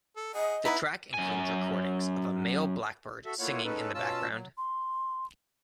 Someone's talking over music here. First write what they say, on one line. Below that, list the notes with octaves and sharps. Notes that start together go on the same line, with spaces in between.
The track includes recordings of a male blackbird singing in the background.
A4
G#4 D#5 F#5
B3 D#4 E4 B4
F#2 G#5
F#4 A4 E5
A3 A#3 E4 F4 C#5 F#5
G#3 B3 C#4 D#4 A4 B4
B2 C#4 F4 A5 E6
F#3
C6